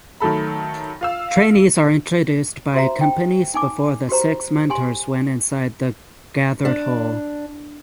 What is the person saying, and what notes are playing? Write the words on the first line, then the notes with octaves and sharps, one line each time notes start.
Trainees are introduced by companies before the six mentors went inside the gathered hall.
D#3 F#3 A3 A4 B5
F4 F5 E6
F#4 C5 E5 A#5
G5
D#4 G#5 D6
F#4 G4 C5 A#5
G4 G#5 C6
D4